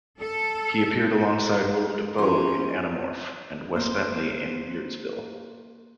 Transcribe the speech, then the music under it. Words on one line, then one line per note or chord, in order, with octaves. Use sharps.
He appeared alongside Willem Dafoe in Anamorph and Wes Bentley in "Weirdsville".
A4
E3 F3 C#4 G#4 C5 A#5
A#3 C5